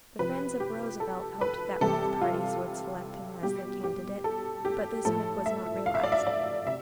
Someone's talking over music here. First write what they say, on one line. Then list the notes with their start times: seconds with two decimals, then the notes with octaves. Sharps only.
The friends of Roosevelt hoped that both parties would select him as their candidate; but this hope was not realized.
0.19 C3 F3 B4
0.60 G4
1.00 A4
1.41 B4
1.81 C3 E3 G3 A4
2.21 F4
3.43 B2 G3 G4
3.84 G4
4.24 A4
4.65 G4
5.05 A2 F3 A4
5.46 E5
5.86 F5
5.95 E5
6.03 D5
6.12 E5
6.27 D5
6.66 C3 E5